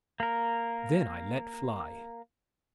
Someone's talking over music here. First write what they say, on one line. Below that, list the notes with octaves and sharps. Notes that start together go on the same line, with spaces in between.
Then I let fly....
A#3 A#4